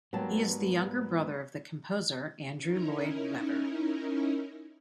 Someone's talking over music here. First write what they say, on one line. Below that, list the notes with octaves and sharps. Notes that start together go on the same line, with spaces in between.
He is the younger brother of the composer Andrew Lloyd Webber.
G#2 F#3 G3 A#3 B3 A5
C#4 D#4 E4 A#4